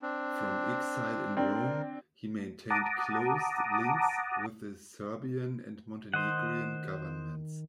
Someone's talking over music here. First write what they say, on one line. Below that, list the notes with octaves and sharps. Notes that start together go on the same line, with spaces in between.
From exile in Rome, he maintained close links with the Serbian and Montenegrin governments.
C4 D4
C4 D4 A#4
F#5 A5 A#5 D6 D#6
D#3 C5 D#5 F#5